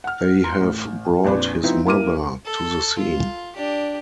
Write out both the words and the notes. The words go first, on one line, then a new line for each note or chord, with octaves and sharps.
They have brought his mother to the scene.
F#5 F6
A#5 C6
A1
A#1 F2 D4 B4
F3 B3 C4 D#4 E4
A#3 E4 A#4 D6 F6 D#7
A4
F4
D4 G4